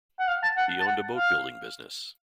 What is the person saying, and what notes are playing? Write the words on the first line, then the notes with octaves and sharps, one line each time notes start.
He owned a boat building business.
F#5
F5
A5
F#5
A5
F#5
F5